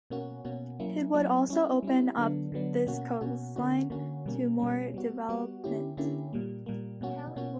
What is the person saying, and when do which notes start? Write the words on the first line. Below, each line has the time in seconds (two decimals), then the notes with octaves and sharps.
It would also open up this coastline to more development.
0.10 B2 A#3 C#4 F#4
0.45 B2 A#3 C#4 F#4
0.80 F#3 A#3 C#4 E4
1.14 F#3 A#3 C#4 E4
1.49 G3 C#4 E4
1.83 G3 C#4 E4
2.18 D3 F#3 B3 D4
2.52 D3 F#3 B3 D4
2.87 B2 A#3 C#4 F#4
3.21 B2 A#3 C#4 F#4
3.56 D3 A#3 C#4 F#4
3.90 D3 A#3 C#4 F#4
4.25 B2 G3 A#3 C#4
4.59 B2 G3 A#3 C#4
4.94 G3 B3 F#4
5.29 G3 B3 F#4
5.64 D3 A#3 C#4 E4 G4
5.97 D3 A#3 C#4 E4 G4
6.33 A#2 G3 A#3
6.66 A#2 G3 A#3
7.01 B2 A#3 C#4 F#4
7.36 B2 A#3 C#4 F#4